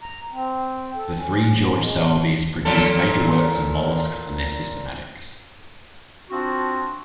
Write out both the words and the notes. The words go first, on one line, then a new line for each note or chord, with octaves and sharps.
The three George Sowerbys produced major works on molluscs and their systematics.
A#5
C4
A4
C#4
F3
G#3
A#2 F3 A4
F3 C4 D4 F#4